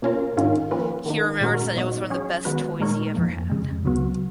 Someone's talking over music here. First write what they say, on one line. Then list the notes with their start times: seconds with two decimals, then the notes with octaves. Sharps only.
He remembers that it was one of the best toys he ever had.
0.02 B2 A#3 C#4 F4 A#4
0.36 G#2 D#3 A#3 C#4 F4
0.71 F3 A#3 C#4 F4 B4
1.06 D#3 A#3 D#4
1.41 A#2 G#3 C#4 F#4 A#4
1.75 A#2 F#3 B3 D#4 F#4
2.10 F#3 C#4 G#4 C#5
2.45 D#3 G#3 B3 F#4 B4
2.80 A#2 G#3 D#4 A#4 C#5
3.14 F2 F3 A#3
3.50 F2 C#3 G#3
3.84 C#2 C#3 F#3 B3 F#4